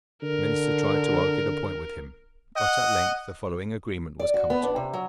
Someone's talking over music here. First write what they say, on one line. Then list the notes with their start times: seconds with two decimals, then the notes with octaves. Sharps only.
The minister tried to argue the point with him, but at length the following agreement was come to.
0.23 D3 A#4
2.57 D#5 F#5
4.19 D5
4.34 F#4
4.50 B3
4.63 D4
4.76 C3
4.93 F#3